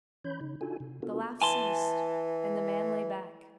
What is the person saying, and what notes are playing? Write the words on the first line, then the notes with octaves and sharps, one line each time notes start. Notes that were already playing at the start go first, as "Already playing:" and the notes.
The laughed ceased, and the man lay back.
E3 C#4 C#5 B5 G6
C#3 D#4
D4 D#4 F4 F#4 A4 G#5
C3
B3 D4 F4 F#4 A4 A#4
B3
E3 G#5 A5 C6